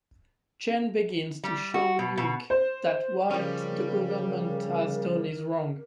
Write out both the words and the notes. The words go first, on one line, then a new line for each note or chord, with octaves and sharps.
Jen begins to show Luke that what the government has done is wrong.
G3
F#4
B2
B2
C5
C#3 F3 G3 C#4 A#4